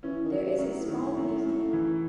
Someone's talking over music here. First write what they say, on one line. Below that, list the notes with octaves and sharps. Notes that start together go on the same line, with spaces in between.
There is a small museum.
E3 C#4
D#3
F#3
C3
F#2 C3
A2
D#3
F#2
F#2
E3